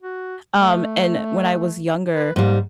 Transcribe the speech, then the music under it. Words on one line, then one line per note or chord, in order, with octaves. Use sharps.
Um, and when I was younger
F#4
A3
B4
G#2 G3 A#3